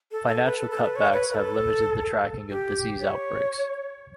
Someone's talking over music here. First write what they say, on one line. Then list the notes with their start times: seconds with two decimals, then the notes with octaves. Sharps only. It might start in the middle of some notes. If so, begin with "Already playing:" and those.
Financial cutbacks have limited the tracking of disease outbreaks.
0.12 A4
0.28 A4
0.45 B4
0.58 A4
0.71 A4
0.84 B4
0.96 C#5
1.13 B4
1.30 B4
1.34 A4
2.50 G4
3.01 C#5